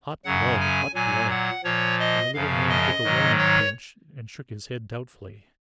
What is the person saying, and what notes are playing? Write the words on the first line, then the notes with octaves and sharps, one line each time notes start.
Hot blood, hot blood.' And the little man took a warning pinch, and shook his head doubtfully.
F#2 C#3 F#3 F#5
G#5
A#2 F#3 G#5
F#5
A#2 F3 C#5
D#5
F#2 C#3 F3 F5
D#5
G#2 D#3 F#3
C#5